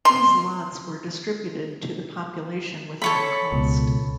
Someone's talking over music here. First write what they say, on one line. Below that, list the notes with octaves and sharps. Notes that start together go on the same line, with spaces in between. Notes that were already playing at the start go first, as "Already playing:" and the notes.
These lots were distributed to the population without cost.
C6
A4 C#5 B5
C#2 B2